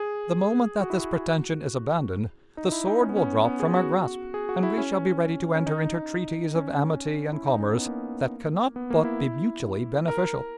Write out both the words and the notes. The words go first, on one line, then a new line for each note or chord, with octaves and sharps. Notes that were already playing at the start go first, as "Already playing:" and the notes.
The moment that this pretension is abandoned, the sword will drop from our grasp, and we shall be ready to enter into treaties of amity and commerce that can not but be mutually beneficial.
Already playing: G#4
F#4
E4
F#4
D#4
E4
D#4
C#4
B3
C#4
B3
G#4
F#4
G#4
F#4
E4
C#4
C#4
D#4
C#4
E4
D#4
C#4
B3
A#3
B3
A#3
E4
A#4